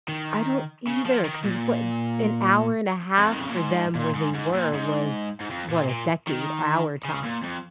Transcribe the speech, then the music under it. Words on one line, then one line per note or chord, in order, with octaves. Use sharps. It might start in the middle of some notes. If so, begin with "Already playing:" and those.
I don't either 'cause what an hour and a half for them, where they were was, what? A decade, our time?
D#3
C#3
F3
D#3
A#2
F2
D#3
C#3
A#2
G#2
A#2
G#2
G#2
A#2
G#2
G#2
F2
A#2
A#2
D#3
C#3
A#2
F2